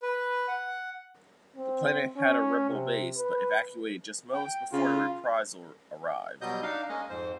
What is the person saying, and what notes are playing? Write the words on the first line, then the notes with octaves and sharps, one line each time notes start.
The planet had a rebel base, but evacuated just moments before the "Reprisal" arrived.
B4
F#5
C4
C#4
C3
B4
G5
C#3 F4
B2 F#3 G3 D#5 G6
D4 D#4 F5
G#3 A#3 C#4 D#5
F2 G#2 C5